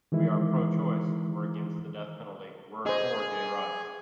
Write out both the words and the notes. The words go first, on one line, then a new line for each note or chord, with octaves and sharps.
We are pro-choice; we're against the death penalty; we're for gay rights.
D#3 E3 G#3 E4
G#4 C5 D#5